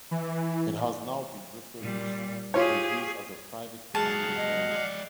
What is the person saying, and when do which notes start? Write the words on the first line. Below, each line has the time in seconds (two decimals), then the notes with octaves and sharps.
It has now been refurbished for use as a private family home.
0.11 E3
1.80 A#2 G3
2.54 F4 G4 G#4 C#5
3.95 F#3 G#3 G#4 F5 F#5 A5
4.36 D#5
4.72 G#3 D5